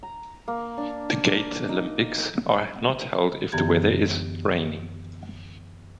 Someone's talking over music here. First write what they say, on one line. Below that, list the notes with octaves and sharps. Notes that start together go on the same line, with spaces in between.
The Gatalympics are not held if the weather is raining.
A#5
A#3
D4
D#4
F#2 D3 E3 B3 G4 G#6